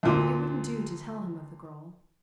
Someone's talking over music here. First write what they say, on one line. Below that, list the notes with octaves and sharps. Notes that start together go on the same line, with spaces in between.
It wouldn't do to tell him of the girl.
D2 A#2